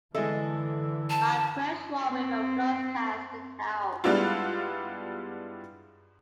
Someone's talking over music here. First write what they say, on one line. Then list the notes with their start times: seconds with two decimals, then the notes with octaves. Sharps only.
Bakreshwar River flows past the town.
0.15 D3 E3 G#3 E4 A4 D#5
1.10 A5
2.10 C4
4.04 G3 G#3 B3 D4 E4 F4